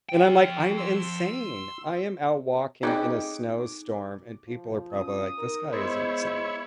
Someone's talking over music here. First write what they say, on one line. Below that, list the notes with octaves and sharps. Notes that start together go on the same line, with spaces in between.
and I'm like, "I'm insane." I am out walking in a snowstorm, and people are probably like, "This guy is insane."
F3 G5
C6 E6
C4 C#4 D#4 G#4 D#5 D6 F#6 G#6
F3
C#4 D#6
D#4 A#4
G#3 B3 E4 C5 C#5